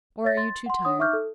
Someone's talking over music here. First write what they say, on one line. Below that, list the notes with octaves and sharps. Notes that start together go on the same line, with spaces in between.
Or are you too tired?
C#5 E5 A6 A#6
C6 A6
F#5 C6
D4 C#5 F#5 D#6
D#4 E5 C#6 D6 F6 G6
A4